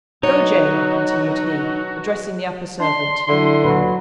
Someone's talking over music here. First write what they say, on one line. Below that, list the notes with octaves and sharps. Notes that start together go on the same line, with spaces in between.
Go Jane!' continued he, addressing the upper-servant.
B2 F#3 D#4 F#4 C#5
D4 C6
D3 F#3 D4 E4
C#2 A#2 F#3 B4